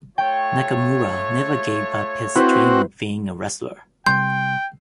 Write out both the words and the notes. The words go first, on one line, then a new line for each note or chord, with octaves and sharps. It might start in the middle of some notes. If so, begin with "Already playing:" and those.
Nakamura never gave up his dream of being a wrestler.
A3 F4 C#5 G5
C4 E4 F#4 B4 C5
C3 G3 G5 C6 G6